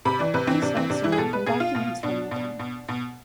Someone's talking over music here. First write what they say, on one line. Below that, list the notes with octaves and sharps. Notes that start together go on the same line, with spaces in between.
These facts are known from documents from the time.
C3 B5
E3 D5
C3 B4
E3 C4
C3 D4
E3 C4
C3 D4
E3 E4
G#4
B2 A4
B4
B2 G#4
F4
B2
B2 D4
B2
B2
B2